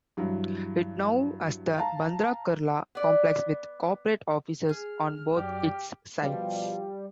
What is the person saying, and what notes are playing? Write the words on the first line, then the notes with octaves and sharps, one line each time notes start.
It now has the Bandra-Kurla complex with corporate offices on both its sides.
G2 E3 F#3
F5 A5 A#5
B3 D5
G#4 F6
F#2 G4 D5
B2 F3 G3 F4